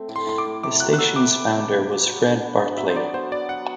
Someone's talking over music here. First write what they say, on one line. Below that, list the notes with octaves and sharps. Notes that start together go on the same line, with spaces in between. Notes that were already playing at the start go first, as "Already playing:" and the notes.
The station's founder was Fred Bartley.
Already playing: A3 C4
A2
C6
A2 C6
D6
A2
C3 D6
F#3 F#6
F#6
B3 E6
C3 D6
B3
C3
B3
F#3
F#4
D4
B3
B3
F#3 E5
C5
F#3 D5
B3 C5
F#3 D5
G4 F#5